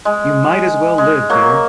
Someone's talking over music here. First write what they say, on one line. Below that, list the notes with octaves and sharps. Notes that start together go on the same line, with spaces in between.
You might as well live dear.
G#3
G#3
F#3 A#3